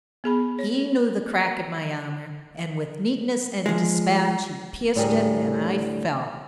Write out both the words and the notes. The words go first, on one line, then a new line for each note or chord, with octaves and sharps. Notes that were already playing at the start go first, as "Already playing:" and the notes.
He knew the crack in my armor, and with neatness and despatch he pierced it, and I fell.
B3 G#4 B5
C#5
F3 G#3
D2 A2 G3 G#4 A#4